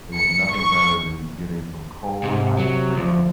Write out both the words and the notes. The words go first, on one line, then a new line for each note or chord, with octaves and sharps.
it was nothing better than getting some cold ice cream.
C#7
C#6
G#2 C3
F#3
D2 F3